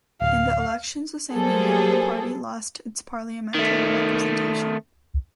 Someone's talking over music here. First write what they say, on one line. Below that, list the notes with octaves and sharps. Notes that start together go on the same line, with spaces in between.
In the elections the same year, the party lost its parliamentary representation.
D1 F5
F#3 G3 A#3 G#4 A4 C5
D#3 A3